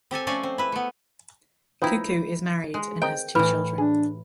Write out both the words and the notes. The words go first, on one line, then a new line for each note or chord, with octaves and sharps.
Kuku is married and has two children.
C4 G4 A4 G#5
F3 A3 C#4 C#5 D5 G#5
C4
E4 B4
A3 B3
F3 D#4 E4 B4 G5
G#3
C4 A#4 D#5 G5
A2 E3 B4 B5
D4 G#4